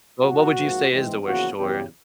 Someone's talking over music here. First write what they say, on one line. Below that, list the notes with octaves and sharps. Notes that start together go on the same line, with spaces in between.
Well, what would you say is the worst chore?
A2 F#3 B3 F#4
G#2 F3 A#3
G#2 E3 G#3 C4
E2 C#3 F3 A#3 F#4
E2 C#3 F#3 B3 G4